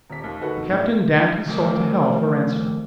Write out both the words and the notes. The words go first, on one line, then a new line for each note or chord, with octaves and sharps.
The Captain damned his soul to hell for answer.
D#1 B6
D#2
D2 D#3 F#4 A4 B4
A2 D4
D#3 F3 G3 A3 A#3 C4